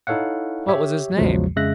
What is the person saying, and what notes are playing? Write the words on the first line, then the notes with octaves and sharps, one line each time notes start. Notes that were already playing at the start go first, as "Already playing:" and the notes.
"What was his name?"
D#4 E4 A4 C#5 F5 F#5
G4 C#5 E5
A#1 E2 C#3 F3 F#3 G#3
F2 C#3 G#3 E5 F#6 A#6